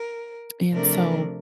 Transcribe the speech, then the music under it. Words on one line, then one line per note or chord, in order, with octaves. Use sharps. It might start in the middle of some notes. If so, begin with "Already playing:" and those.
And so,
Already playing: A#4
C3 F3 A3 D4 A#4